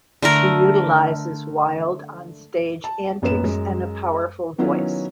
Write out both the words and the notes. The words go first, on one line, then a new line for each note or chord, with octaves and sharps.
She utilises wild on-stage antics and a powerful voice.
D3 A3 A#4
A5
A1 F#2 A#2 B3 B4 E7
F#2 G#3
D#3 F#3 B3 C#4 E4 F4